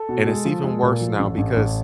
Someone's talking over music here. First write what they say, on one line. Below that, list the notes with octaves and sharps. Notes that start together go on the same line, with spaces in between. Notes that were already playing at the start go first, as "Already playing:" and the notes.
And it's even worse now because
Already playing: A4
B2
G#3
F3
G#3
A#2
F3
A1
A1
A1